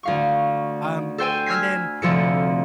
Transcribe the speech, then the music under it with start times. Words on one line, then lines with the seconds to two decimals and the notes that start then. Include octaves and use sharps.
Um, and then
0.03 D2 F5 C#6
1.18 A4 C5 G5 G#5
1.46 E6 F6 G#6 B6 C7
2.02 F1 D2 F3 A4 C#7